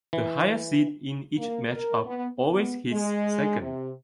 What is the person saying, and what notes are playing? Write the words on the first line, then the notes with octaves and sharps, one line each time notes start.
The higher seed in each matchup always hits second.
E3
A#3
A#4
B3
B3
G#3
C3